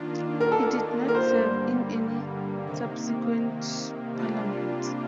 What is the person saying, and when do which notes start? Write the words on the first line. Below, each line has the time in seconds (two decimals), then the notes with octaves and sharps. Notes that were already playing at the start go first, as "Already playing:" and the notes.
He did not serve in any subsequent Parliaments.
Already playing: D#3 A#3 D4 F4
0.40 A#4
0.52 A4
0.63 A#4
1.08 A#4
1.15 G2 D3 G3 A#3 C5
2.64 C3 D#3 A#3
4.13 C3 G3 A#3 D4 F4